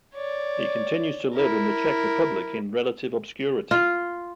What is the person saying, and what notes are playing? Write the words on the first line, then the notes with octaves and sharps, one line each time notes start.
He continues to live in the Czech Republic in relative obscurity.
C#5 D5
E4 A#4
F4